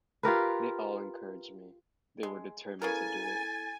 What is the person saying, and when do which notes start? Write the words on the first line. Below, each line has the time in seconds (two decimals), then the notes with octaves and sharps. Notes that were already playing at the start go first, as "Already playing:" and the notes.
They all encouraged me; they were determined to do it.
0.23 F4 G4 A#4 B4
2.23 G#3
2.82 C#3 B3 E4 A4 A#4 G#5 A6